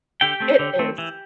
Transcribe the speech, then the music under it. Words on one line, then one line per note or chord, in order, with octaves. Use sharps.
It is.
D3 G4 G5
A3 C4
D3
A3 C4
E3